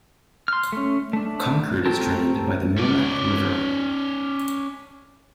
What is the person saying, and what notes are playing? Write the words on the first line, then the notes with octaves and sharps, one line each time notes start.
Concord is drained by the Merrimack River.
C6 F6
A3 C#4
A3 D4
A3 C4 G4 A4 A#4
C#4 D5